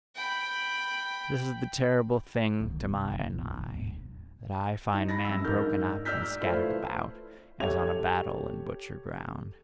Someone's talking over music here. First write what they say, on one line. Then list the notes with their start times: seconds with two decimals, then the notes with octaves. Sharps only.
This is the terrible thing to mine eye, that I find man broken up, and scattered about, as on a battle- and butcher-ground.
0.16 G5 B5
2.60 D2 D#3
2.80 G#2 C3
3.11 D#4
3.30 D#2 A#2
3.55 A1 D#2
3.75 A2
4.94 D#4
5.08 B5 A6 A#6
5.25 F#2 E6
5.44 G#2 D4 A#4 F6 G6
6.05 D5 E6 F6 G6 B6
6.41 A3 E4 F4 B4 C5
7.60 G4 A4 C#5 G#6 F7